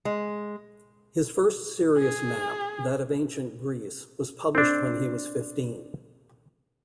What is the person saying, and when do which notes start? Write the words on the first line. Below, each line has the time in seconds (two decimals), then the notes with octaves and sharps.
His first serious map, that of Ancient Greece, was published when he was fifteen.
0.05 G#3
1.98 G#4
4.55 C4 D4